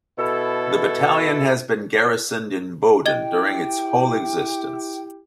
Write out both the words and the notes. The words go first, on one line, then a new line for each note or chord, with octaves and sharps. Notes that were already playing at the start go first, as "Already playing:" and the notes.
The battalion has been garrisoned in Boden during its whole existence.
B2 E4 A4
E4 G4 D#5 G5 G#6 G7